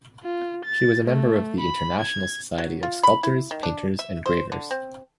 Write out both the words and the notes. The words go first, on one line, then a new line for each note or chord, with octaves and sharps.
She was a member of the International Society of Sculptors, Painters and Gravers.
F4
A6
A3
B5
G#6
F#3
F4
B5
E4
D#3
D4
E5
C5
D3
C4